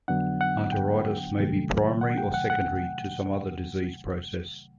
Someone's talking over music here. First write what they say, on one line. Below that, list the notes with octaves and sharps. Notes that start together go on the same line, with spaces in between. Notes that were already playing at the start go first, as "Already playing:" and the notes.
Arteritis may be primary or secondary to some other disease process.
F2 D3 F#3 B3 D4 F#5
F#5
G5
C2 C3 D#3 F#3 A3
F#5
G5
F#5
F#5